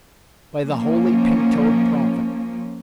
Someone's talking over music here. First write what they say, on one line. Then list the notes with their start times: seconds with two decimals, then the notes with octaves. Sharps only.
By the Holy Pink-toed Prophet!
0.67 F3 A#3 C#4